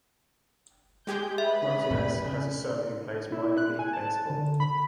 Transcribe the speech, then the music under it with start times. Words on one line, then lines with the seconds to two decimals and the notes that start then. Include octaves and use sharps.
Martinez has a son who plays minor league baseball.
1.07 G#3 G4 G#4 G6
1.38 B4 E5 B5
1.91 F2 A2 C3
2.25 C#3
3.32 E4
3.58 F#6
3.79 G#5
3.93 A5
4.30 D3
4.60 B5